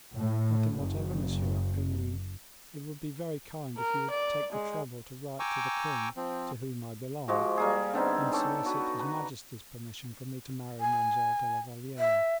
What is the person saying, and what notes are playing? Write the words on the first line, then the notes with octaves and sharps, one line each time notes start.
"Nothing whatever, monsieur, only it would be very kind if you would take the trouble to write to the king, to whom I belong, and solicit his majesty's permission for me to marry Mademoiselle de la Valliere."
A2
F#1
A#4
D5
G#3
G5 G#5 A#5 C#6 D6 E6
F3 C4
F3 G#3 F#4 G4
G3 A#3 G#4
D3 B3 C4 D#4
D#4 A4 C#5 D5
F#4 B4 F#5
B4 A#5
G#5
E5